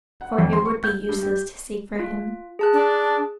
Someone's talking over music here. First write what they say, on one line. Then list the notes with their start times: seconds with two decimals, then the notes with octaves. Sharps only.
For it would be useless to seek for him.
0.21 F#5
0.38 F2
0.53 C6
0.65 C#6
0.84 G6
1.09 G2
1.22 G4
1.99 F4
2.59 G#4 A5 F#6
2.73 D4